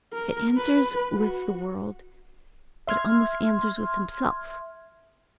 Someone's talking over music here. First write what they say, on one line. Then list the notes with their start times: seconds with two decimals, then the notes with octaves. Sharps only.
It answers with the world; it almost answers with himself.
0.13 A#4
0.57 B4
1.17 F#4
2.87 E5 C6 F6 G#6